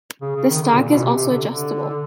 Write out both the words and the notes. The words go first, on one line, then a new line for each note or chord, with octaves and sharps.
The stock is also adjustable.
C#3
C#3
D#3
D3
A#2
B2
C3
C3
D3
D3